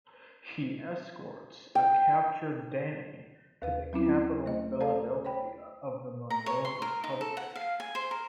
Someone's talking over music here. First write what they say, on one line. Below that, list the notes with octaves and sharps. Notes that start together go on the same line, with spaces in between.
He escorts a captured Danny to the capital Philadelphia of the Monroe Republic.
G5
D#2 B4 F5
F#3 C4 C#4 E4
A3 D#5
A4 D5 F5 A5 A#5
C5 C#5 G5 B5
A#5
C#5
C6
A#4
D#4
A4
F#5
F5
G#5
C5
A#4